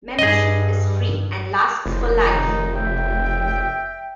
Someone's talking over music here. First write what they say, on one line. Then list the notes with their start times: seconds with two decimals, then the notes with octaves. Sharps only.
Membership is free and lasts for life.
0.19 G2 G#4 D#5
1.86 F1 E4 C5
2.23 D#3 D#4
2.74 E5 G5